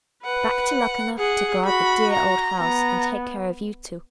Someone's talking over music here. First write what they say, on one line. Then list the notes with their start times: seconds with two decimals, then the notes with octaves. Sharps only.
"Back to Luckenough to guard the dear old house, and take care of you two."
0.24 B4 F#5
1.18 G#4 F#5
1.66 F#4 B5
2.13 A#5
2.60 B3 A#5